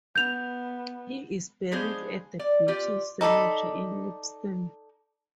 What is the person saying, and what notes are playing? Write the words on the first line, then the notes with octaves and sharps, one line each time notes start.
He is buried at the British Cemetery in Lisbon.
B3 G6 F7
F3 G#3 B3 D4 G#4 C5
D5
F4 G4 D5
D#4 A4 D5 B5